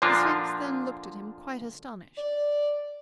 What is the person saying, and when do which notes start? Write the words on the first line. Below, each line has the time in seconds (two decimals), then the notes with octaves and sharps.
The Sphinx then looked at him quite astonished.
0.02 A#2 D3 F3 A#3 D4 F4
2.18 D5